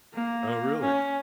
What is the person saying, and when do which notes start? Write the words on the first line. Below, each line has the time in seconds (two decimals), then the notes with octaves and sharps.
Oh, really?
0.14 A#3
0.81 C#4